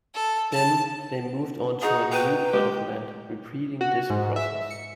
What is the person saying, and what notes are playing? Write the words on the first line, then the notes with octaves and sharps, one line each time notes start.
Then, they moved on to a new plot of land, repeating this process.
A4
A5
D#4 F#4 G#4
B4 G5 A#5
G#3 G4
F#4
G#2
E5
C#7